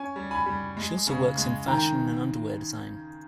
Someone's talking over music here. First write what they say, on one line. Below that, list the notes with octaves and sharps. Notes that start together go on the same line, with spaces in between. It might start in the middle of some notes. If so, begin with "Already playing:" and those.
She also works in fashion and underwear design.
Already playing: C#4 G#5
G3
G#5 B5
G3
G#3
C#3
G#3
D#3 G5 A#5